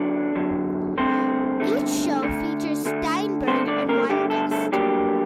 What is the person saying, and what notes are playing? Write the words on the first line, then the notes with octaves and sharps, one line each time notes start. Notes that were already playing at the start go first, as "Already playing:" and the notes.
Each show features Steinberg and one guest.
Already playing: F#2 D3 F#3 D4 D5
F#2 D3 F#3
G2 D3 A3 C4 C5
G2 D3 A3
D2 D3 A3
D2 D3 A3
G2 D3 A3 C4 C5
D4 D5
A#3 A#4
G2 D3 G3 A3 G4
A3 A4
A3 A4
D2 D3 F#3 G3 A#3 G4